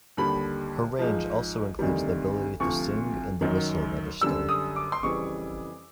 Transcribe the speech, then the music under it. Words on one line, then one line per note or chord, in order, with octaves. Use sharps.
Her range also includes the ability to sing in the whistle register.
D#2 D3 G3 B5
G#2 F3
D2 C3 D#3 G3
D2 C3 F3 C#6
F#2 D#3 F#3
F#2 D3 G3 E6
D#6
D6
C6
F2 C#3 E3 G3 C#6